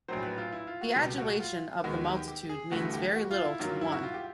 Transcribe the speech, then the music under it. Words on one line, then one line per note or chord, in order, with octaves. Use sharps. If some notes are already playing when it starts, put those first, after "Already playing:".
The adulation of the multitude means very little to one.
A#1 A2 F#3 C5
B4
F4
E4
F4
F#4
C#2 B2 G3 B3 G4
F#4
F4
D#2 D#3 G#3 B3 F#4
G4
G4
G#4
G1 G2 E3 A3 F#4
G4
F#4
F4
E4
G2 D#3 F#3 A#3 F4
E4
F#4
F4
G4